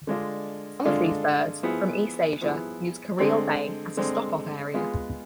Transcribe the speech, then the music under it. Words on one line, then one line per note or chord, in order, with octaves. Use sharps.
Some of these birds, from East-Asia, use Careel Bay as a stop off area.
D3 G#3 D4 F4
D3 G#3 D4 F4
F3 B3 E4 G#4
F3 B3 E4 G#4
D3 G#3 C4
D3 G#3 C4
G#3 B3 F4 G#4